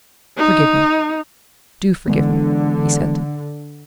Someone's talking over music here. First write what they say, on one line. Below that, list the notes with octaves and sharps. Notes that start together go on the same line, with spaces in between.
"Forgive me--do forgive me," he said.
D#4
D3 E3 G#3 B3